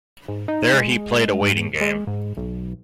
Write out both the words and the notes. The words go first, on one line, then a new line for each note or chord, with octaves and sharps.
There he played a waiting game.
G#2
D#4
G#3
G#2
G#3
G#2
B1